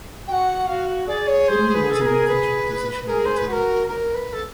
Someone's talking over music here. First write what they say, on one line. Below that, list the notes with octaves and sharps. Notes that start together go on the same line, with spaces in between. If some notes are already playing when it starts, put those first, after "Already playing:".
Henry was elected to the position later in the year.
F#4 F#5 G5
F#4 F5
G#4 D5
C#5
C5
B4
A4
B4
A#4
B4
G#4 A#4
C5
B4
F#4 A#4 B4
A#4
B4
A4